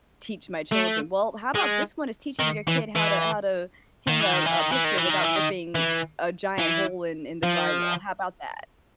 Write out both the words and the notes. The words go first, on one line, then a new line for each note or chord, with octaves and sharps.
teach my children." "Well, how about this one is teaching your kid how to how to hang a a picture without ripping a giant hole in in the drywall, how about that?"
A3
G#3
D#3
E3
E3
D#3
E3
D#3
E3
D#3
E3
D#3
E3
D#3
E3
D#3
E3
E3
F3